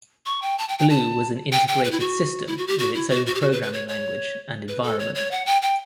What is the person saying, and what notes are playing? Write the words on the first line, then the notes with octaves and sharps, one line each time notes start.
Blue was an integrated system with its own programming language and environment.
C#6
G5
A5
G5
G5
A5
G5
G5
B4
E4
F#4
E4
F#4
G4
F#4
E4
F#4
F#4
G4
F#4
B4
B4
C#5
C#5
B4
A4
C#5
C#5
F#5
G5
G5